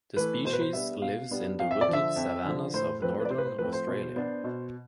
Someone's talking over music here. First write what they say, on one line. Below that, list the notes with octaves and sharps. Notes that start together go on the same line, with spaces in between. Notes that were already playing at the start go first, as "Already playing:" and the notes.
The species lives in the wooded savannas of northern Australia.
E3 A3 B4
B2 C5
B4
C5
G3 B3 D4 E5
B2 F5
G3 B3 D4
F2 F5
E5
D5
D3 F3 E5
F2
D3 F3
A2 C5
F3 A3 C4 B4
B4
D5
A2 C5
B4
C5
F3 A3 C4 B4
C5
B2
B3 D4
B2